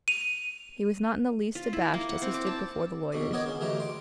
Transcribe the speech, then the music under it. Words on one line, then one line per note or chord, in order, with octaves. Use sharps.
He was not in the least abashed as he stood before the lawyers.
D#7 F7
F4
E4
A#3
F#5
C4
D6
A5
A#1 B2 D5
D#3 B3 C#5 D#5 G#5 D6
C#3
A1 D2 E3 F#3 G4 D#5
C6 D6